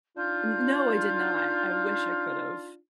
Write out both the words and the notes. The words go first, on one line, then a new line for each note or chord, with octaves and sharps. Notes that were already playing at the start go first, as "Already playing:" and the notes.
N no, I did not, I wish I could have.
D4 D#4 F4 G6